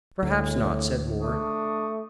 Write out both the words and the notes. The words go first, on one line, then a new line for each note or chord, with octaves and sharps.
"Perhaps not," said Moore.
D2 A2
A3 D4 C#6 D#6